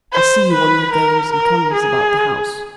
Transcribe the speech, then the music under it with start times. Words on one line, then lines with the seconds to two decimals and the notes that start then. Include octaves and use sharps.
I see you on your goings and comings about the house.
0.13 C5
0.53 B4
0.93 A#4
1.33 A#4
1.73 G#4